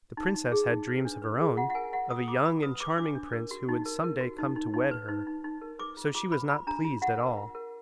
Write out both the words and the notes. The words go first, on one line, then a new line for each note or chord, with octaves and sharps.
The princess had dreams of her own of a young and charming prince who would some day come to wed her, so she was not pleased at all.
D#4
D#4
G#4
D#4
B4
D4
B4
G#4
F4 F#5
F#5
A#4 G#5
F4 F#5
F4 D#6
F4 D6
F4 B5
B4 D#6
B4 D6
D4 D6
D4
A#4
F#4
D#4
A#4
A#4
F#4
D#4
D#4
D#4
B4
D#4
D#4
D#4
A#4
B4 D6
F4
F4 D6
B4 B5
F4 B5
D4 A#5
F4
F4 F#5
A#4
F4
A#4